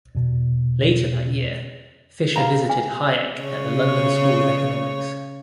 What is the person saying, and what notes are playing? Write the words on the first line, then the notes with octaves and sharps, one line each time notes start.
Later that year, Fisher visited Hayek at the London School of Economics.
E2 B2
G4 G#4 F5 A#5
G#5
C#3 C#5